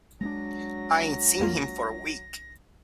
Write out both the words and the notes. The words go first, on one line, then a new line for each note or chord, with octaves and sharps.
I ain't seen him for a week.
F#3 G#3 B3 D4 A#6
F2 A#3 F4